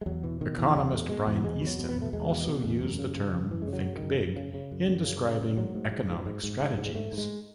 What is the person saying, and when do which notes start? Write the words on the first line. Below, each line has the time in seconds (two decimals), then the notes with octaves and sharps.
Economist Brian Easton also used the term "think big" in describing economic strategies.
0.01 G#3
0.06 E2 F#3
0.23 B2 E3
0.41 B2 D#3
0.58 E2 E3
0.75 E2 F#3
0.92 B2 A3
1.09 B2 G#3
1.27 E2 E3
1.44 E2 G#3
1.61 B2
1.66 F#3
1.79 B2
1.89 B3
1.96 E2
2.02 A3
2.13 E2 G#3
2.30 B2
2.47 B2
2.64 E2
2.81 F#2
2.99 C#3
3.16 C#3
3.34 F#2
3.50 F#2 E3
3.62 G#3
3.67 C#3
3.73 F#3
3.85 C#3
3.97 D#3
4.02 F#2
4.20 F#2
4.36 C#3
4.54 C#3
4.71 F#2
4.88 F#2
5.06 C#3
5.23 C#3
5.41 F#2
5.57 G#2 F#3
5.75 G#2
5.91 G#2
6.09 G#2
6.26 G#2
6.43 G#2
6.60 G#2
6.77 G#2
6.86 G#3
6.94 G#2 A3
7.12 G#2
7.18 G#3